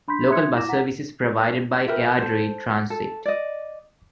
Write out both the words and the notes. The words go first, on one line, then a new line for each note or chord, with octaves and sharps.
Local bus service is provided by Airdrie Transit.
D4 B5 C6 G6 B6
E5 C6 D#6 F#6 G#6 C#7
E4 D6 A#6 E7
F#5 A#5 B6
G4 A#4 B4 E5
A4 C5
A4
D5 D#5